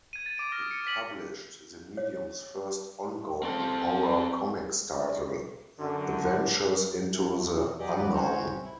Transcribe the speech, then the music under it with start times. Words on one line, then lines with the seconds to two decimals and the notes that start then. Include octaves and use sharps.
It published the medium's first ongoing horror-comics title, "Adventures into the Unknown".
0.13 G#6 D#7
0.26 A6
0.38 D6 D7
0.52 D#6 F6 A#6
0.71 A#6 C#7
0.87 B6 F#7
1.97 C#5
3.43 C4 A4
5.79 F#2 D3
7.06 F#2
7.52 B2 D#3 E3
7.79 F2 F#3 G4 G#4 D5 D#5
7.95 D#2 F#3 B4 D5
8.13 D#3 C4 C#4 F#4 C5 C#5
8.64 E4